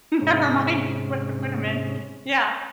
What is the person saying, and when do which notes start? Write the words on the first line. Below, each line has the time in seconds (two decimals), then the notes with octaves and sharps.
Never mind what to put them in. Yeah.
0.21 G#2 C3 C#4